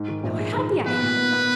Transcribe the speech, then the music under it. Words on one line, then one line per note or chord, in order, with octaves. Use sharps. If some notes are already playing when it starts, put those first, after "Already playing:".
How happy I am!
Already playing: G#2
D#3
A#1
G#3
D#3
D#3
B3 B4
A#2
B3
B3